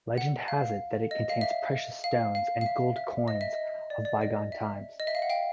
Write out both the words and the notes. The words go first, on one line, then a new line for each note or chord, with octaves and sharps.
Legend has it that it contains precious stones and gold coins of bygone times.
F#5
F5
D#5
F5
E5
F5
F5
F5
E5
E5
D#5
E5
D#5
D5
D5
D#5
E5
D#5
E5
F5
F#5
F5 G5